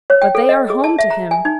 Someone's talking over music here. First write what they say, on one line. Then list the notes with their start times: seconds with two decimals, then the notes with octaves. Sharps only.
But they are home to him!
0.10 C#5
0.22 G5
0.35 A4
0.49 D#5
0.70 G#4
0.84 A5
0.99 E5
1.10 A#5
1.31 G#5
1.45 D#4